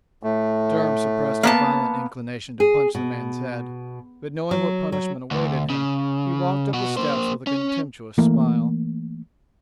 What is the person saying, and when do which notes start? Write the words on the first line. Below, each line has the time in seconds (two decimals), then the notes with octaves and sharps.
Durham suppressed a violent inclination to punch the man's head, but, knowing what punishment awaited him, he walked up the steps with a contemptuous smile.
0.23 A2 A3
1.43 A#3 B3 A5
2.60 G#4
2.95 B2
4.51 F#3
4.92 F#3
5.31 D2
5.70 C#3
6.73 B2 F#4
6.97 A#3 C5
7.47 C#4
8.18 E3 A3 A#3